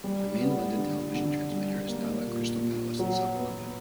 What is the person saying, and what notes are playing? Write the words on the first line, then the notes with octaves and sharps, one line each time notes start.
The main London television transmitter is now at Crystal Palace in south London.
G3
B3
D3
D3
G3
A#3
A#2
A#2
F#3
B3